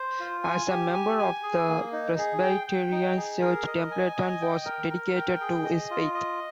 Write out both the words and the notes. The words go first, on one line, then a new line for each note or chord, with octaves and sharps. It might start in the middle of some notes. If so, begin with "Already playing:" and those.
As a member of the Presbyterian Church, Templeton was dedicated to his faith.
Already playing: C5
F4
G#5
G4
G#5
G#5
G#4
A#3
D#4
G#4
G5
G5
D#4
G#4
A#4
D#5
G#5
D#5
G5
A#4
A#4
G5
G#4
D#5
F4
D#5